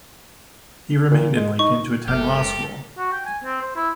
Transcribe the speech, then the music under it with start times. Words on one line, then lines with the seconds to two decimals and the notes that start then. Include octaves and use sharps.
He remained in Lincoln to attend law school.
1.11 A#2
1.36 G#3
1.59 D#4 C#6
2.08 F#1 G#3 G4 A4 A#4 E5 F6
2.98 F#4
3.12 G5
3.26 G#5
3.44 C4
3.61 C5
3.76 E4